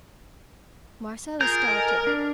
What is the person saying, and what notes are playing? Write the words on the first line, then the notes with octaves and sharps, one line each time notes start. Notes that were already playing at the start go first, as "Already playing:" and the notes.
Marcella started.
F4 G#4 A#4 G6
A4 D#5 G#5
D4